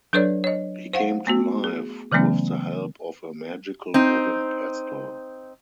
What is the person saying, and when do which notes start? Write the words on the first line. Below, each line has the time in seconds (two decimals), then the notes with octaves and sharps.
He came to life with the help of a magical wooden pestle.
0.13 F#3 D4 A4 B4 C#5 D5
0.44 C#5 D#5
0.93 C5 F5 F#5
1.27 A3 B3 F#4
1.64 G#4
2.12 C#3 E3 F#3 A3 B3 C#4
3.94 C4 D#4